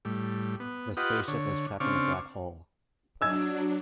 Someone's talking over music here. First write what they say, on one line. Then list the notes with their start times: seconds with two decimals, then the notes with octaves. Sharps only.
The spaceship is trapped in a black hole.
0.05 A2 G3
0.60 B3
0.97 F4 G4 B4 D#5 F#5
1.28 D3 C#5
1.80 C#3 C4 D4 F5 C#6
3.21 F#3 D4 D#5 E6 G#6